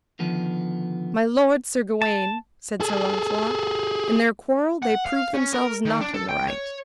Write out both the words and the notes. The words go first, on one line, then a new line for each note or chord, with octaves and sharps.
My lord Sir Gawaine, said Sir Launcelot, in their quarrel they proved themselves not in the right.
D3 D#3 F3 B3
A5
G#4 A4
F#5
F5
C#4
A#4
D#3
D4
A4
G5
C#5